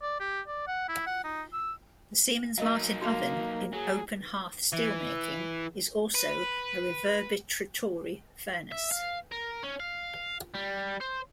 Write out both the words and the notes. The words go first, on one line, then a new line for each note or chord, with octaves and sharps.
The Siemens-Martin oven in open hearth steelmaking is also a reverbetratory furnace.
D5
G4
D5
F#5
E4
F#5
D#4
E6
F#3 D#4 A#4 D#5 F5
A#3 F#4
F#3 G#4
E3
B4
E5
F5
A#4
C#4
F5
G3
C5